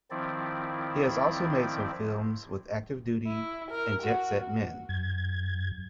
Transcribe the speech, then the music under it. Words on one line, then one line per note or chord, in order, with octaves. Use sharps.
He has also made some films with Active Duty and Jet Set Men.
D#3 F3 C4 E4 D5
E4
A#4
F#4
F#2 G#6